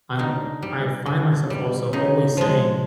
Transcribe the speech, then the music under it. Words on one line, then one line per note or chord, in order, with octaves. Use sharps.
I'm, o I find myself also always saying,
D3 D#4
G3
D3
G3
C#3 D#4
F3 G#3